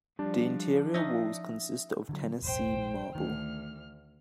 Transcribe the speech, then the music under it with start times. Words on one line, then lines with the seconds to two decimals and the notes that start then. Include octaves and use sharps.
The interior walls consist of Tennessee marble.
0.19 F3 G3 D4
0.94 C#4 D#4 E5 D#6 A#6
2.09 D3 D#3 F#3
2.42 E1 A1 C5 G5
2.75 A#1
3.15 D2 D#3 F6